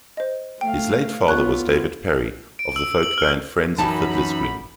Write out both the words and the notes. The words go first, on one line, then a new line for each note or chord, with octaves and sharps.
His late father was David Parry of the folk band Friends of Fiddler's Green.
C5 D#5
A3 F5 G5
B3 F4 C#5 C#6 F#6
D7
E6
F#7
F6
F#2 E3 D#4 A5 B5